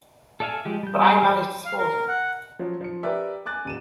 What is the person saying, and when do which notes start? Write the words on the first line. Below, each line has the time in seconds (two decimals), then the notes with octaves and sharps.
But I am at his disposal.
0.40 A4 D5 E5 F5 G#5
0.65 F3 G#3 G4
0.83 G3 G6
1.23 E3 C5 C6
1.66 F5
1.79 A#4
2.08 F#5
2.59 F3 F#3
2.81 F3 C#7
3.03 G4 A#4 B4 D5 E5
3.46 G#5 D6 F#6 A6
3.65 D#1 D#7 E7